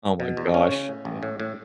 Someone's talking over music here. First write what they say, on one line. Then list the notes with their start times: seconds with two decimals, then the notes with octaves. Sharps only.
Oh, my gosh. Yeah.
0.20 B2
0.37 E2
0.54 C#4
0.72 C#3
0.88 A2
1.05 A1
1.23 A2
1.40 A2